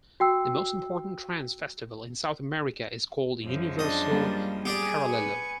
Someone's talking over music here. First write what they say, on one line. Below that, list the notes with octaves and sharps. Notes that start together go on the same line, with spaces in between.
The most important trance festival in South America is called Universo Paralello.
F#4 G5 E6
F#2 F3 G#3
D4 D#5
G3 A#3
G4 G#4 D5 G#5
B4 C#6